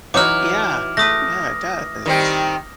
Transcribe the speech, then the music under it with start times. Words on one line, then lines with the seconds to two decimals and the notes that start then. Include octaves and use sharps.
Yeah. Yeah, it does.
0.14 E3 F#3 D#4 F#4 D6 F6
0.97 A3 B4 D#6 A#6
2.06 D#3 G3 C4